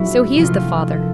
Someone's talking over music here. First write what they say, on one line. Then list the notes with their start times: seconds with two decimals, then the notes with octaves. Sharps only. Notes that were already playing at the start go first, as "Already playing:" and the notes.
"So he is the father."
Already playing: A#2 F#3 B3 D4 E4 F#4 G#4
0.35 C3 F3 A3 F4
0.89 A4